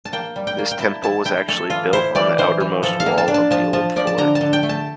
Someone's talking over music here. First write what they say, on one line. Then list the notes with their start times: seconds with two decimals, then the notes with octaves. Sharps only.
This temple was actually built on the outermost wall of the old fort.
0.05 A5
0.12 A#3 G5
0.36 G3
0.47 G5
0.58 A#3
0.71 G5
0.80 E4 A5
1.02 E4 A5
1.25 E4 G5
1.48 A3 A4
1.70 E3 F4
1.93 E4 C5
2.15 E3 D5
2.38 E3 C5
2.60 E3
2.83 F3 A4
3.00 F5
3.06 A#3
3.18 A5
3.28 D4
3.34 A5
3.51 F3 A5
3.73 F3 A5
3.96 F3 D5
4.07 A5
4.18 D3 A#5
4.35 A5
4.41 D3
4.53 G5
4.63 A3
4.69 A5